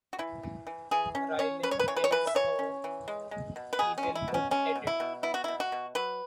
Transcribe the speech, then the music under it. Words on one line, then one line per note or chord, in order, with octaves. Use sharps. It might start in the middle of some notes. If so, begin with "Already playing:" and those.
Raylan tells her he will look at it.
F#4
E3 E4
E3
E3
E3 G#4
C#4
C#4 C#5
C#4 B4
C#5
B4
E3 C#5
B4
C#5
E3 B4
E5
E3 C#5
C#4
E3
G#3
G#3
B2
B4
B2 G#4
C#4
G#3
E4
B2
C#4
G#3 C#4
B2
E4
B2
B3 E4
F#4
B2 E4
F#4
B2
F#3 B4